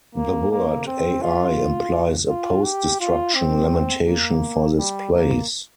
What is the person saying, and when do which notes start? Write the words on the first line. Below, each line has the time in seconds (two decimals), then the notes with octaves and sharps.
The word "Ai" implies a post-destruction lamentation for this place.
0.15 A#3
0.51 A#3
0.87 C4
1.22 F4
2.28 F4
2.64 G4
3.01 F4
3.35 C4
4.06 A#3
4.78 G3
5.13 A#3